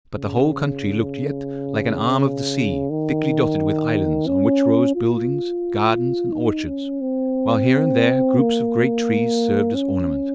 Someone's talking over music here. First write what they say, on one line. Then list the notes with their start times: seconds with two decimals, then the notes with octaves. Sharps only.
But the whole country looked yet like an arm of the sea thickly dotted with islands on which rose buildings, gardens, and orchards, while here and there groups of great trees served as ornament.
0.15 C#3
2.90 D#3
4.27 C#4
4.96 F4
6.32 D#4
6.67 C#4
7.01 C4
8.38 A#3
9.75 C#4